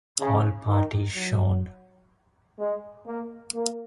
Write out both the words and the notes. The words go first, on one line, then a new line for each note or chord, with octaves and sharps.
All parties shown.
C#3
D#3
F#3
G#3
A#3
A#3